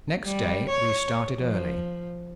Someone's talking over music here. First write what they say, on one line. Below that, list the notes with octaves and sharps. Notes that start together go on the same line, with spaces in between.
Next day we started early.
G3
C#5
F3